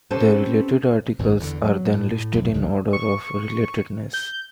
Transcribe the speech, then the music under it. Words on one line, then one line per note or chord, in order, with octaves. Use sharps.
The related articles are then listed in order of "relatedness".
C4 C#4 G4 A4 B4 C5
G#1 F#2 A#2
E2 D3
F#3
A2
B1 F#2 E3
C#2 D3 D#3 F#3
C#6
G6